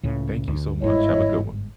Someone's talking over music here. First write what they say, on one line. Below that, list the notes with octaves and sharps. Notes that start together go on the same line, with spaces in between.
Thank you so much. Have a good one.
C#2 A2 C#3
D2
G1 G#2 E4 C#5 D#5